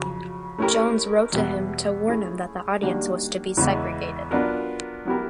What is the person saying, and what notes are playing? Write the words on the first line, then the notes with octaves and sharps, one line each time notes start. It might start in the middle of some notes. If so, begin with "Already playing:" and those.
Jones wrote to him to warn him that the audience was to be segregated.
Already playing: F2 C#3 F#3
A3 C#4 E4 G4 A#4
E2 B2 G3 B3
A3 C#4 E4 G#4
D#3 G3 A#3 D4 F#4
E2 C#3 E3 G#3 B3
F#3 B3 D4 F4 A#4
F#3 B3 E4 G4 A#4